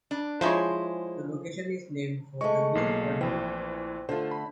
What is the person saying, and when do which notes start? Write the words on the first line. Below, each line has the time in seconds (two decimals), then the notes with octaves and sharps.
The location is named for the Guilford Mill.
0.11 D4
0.41 F3 G#3 E4 G#4 C5 C#5
2.41 G#3 A3 C#6
2.75 B1 A#3 C7
3.21 A#1 E3 C4
4.09 D3 A3 F4 C5
4.31 B5